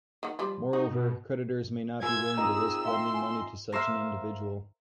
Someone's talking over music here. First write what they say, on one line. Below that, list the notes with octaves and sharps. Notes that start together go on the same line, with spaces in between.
Moreover, creditors may not be willing to risk lending money to such an individual.
D#3 F#5
F3 G3 F4
D#4 F#4
B2
F4 A#4 G#5 B5 E6 G#6
C4 D#4 G#4 A#5
E5 F5 G5 C6
G#5
A#4 C5 E5 F5